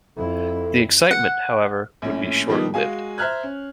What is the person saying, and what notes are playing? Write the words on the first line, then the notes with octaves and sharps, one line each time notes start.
The excitement, however, would be short-lived.
F2 E4 A4
F#5
A#1 A2 C#4
D#3 F3 G3 B3 D#4
G#3 F#4 F5 G#5
C5 E5 A#5 F6 F#6 G#6
C#4